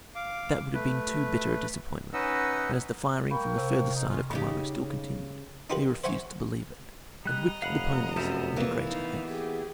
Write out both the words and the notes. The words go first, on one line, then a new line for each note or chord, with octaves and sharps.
But that would have been too bitter a disappointment, and as the firing from the further side of Coamo still continued, we refused to believe it, and whipped the ponies into greater haste.
F5 D6
A3 B4
C#4 D#4 B4 D#5 F#5 E6
A#3 G5 B5 C#6
C3
D#4
C#4 F4
C#3 D#4 G4
D#4 F4 G4 A#4 B4
C5 E5 F#5 G#5 C#6
G3 D#5 A#5 F#6
F1 F5 F#5 B5
F#2 B3 C5 E5
E3 A#3
D#4 F5
G4 G#4